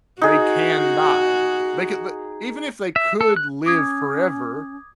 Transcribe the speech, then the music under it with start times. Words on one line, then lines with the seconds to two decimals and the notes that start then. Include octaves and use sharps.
They can die. They can the even if they could live forever,
0.22 D#4 F#4 G#4
2.96 E5
3.21 A4
3.36 F#6
3.66 C#4 D6 D#6 G#6